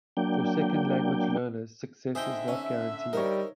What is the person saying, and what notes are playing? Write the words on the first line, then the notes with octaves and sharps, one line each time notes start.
For second language learners, success is not guaranteed.
F#3 A#3 D4 G5
D3 D#4 G#4 C5 E5 G5
C#4
G3 D#4 A#4 C5 C#5